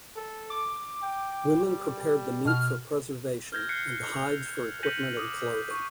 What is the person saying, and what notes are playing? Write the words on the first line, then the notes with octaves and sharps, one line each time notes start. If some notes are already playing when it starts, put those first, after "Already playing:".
Women prepared the meat for preservation and the hides for equipment and clothing.
A4
D6
G5
G3
B2 F6
F6 G6 G#6 A#6
F#6 G6 A#6 C7 C#7 G7
E6 F7
G6 A#6 B6 C#7 D#7 F#7
D6 D#6
C#6